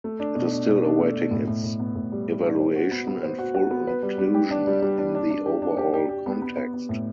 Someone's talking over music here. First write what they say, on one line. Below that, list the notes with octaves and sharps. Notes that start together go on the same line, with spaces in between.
It is still awaiting its evaluation and full inclusion in the overall context.
A3
D4
B2
D4
B2
D4
A3
B2
A2
A2
A2
B3
A2
G3
G3
D4
C5
F#4
B3
B3
C5
F#4
F#4
B3
B4
G3
G3
G4
D4
G3
G3
D4
D4
D4
G4
D4
G4
G4
G4
B3
B3
B3
B3
A2